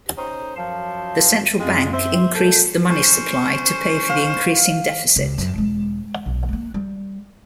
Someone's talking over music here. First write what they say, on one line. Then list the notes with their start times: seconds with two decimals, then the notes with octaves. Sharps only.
The Central Bank increased the money supply to pay for the increasing deficit.
0.17 C#4 D#4 C5
0.56 F#2 F3 F5 A5
1.59 F#2 G#3 C4 F4
1.94 C5 E5
2.35 A#2 A4 G6
2.89 C#4 C5
4.09 F5
5.16 C#2 C#3
5.38 F#2
5.54 E1 G#3
6.26 B1
6.49 A3 A#3
6.74 G3